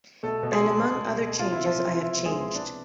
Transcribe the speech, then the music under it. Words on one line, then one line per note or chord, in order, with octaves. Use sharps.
And, among other changes, I have changed.
B2 A3 A4
B2
G#3 G#4
D4
B2
B2
B2
C3 F4
E4
C3
F3 F4
F3
F3 E4
B3
G#3 G#4
B3
C3 D4 D5